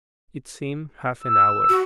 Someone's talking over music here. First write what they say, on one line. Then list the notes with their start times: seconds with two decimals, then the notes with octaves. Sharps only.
It seemed half an hour.
1.20 E6
1.69 F#4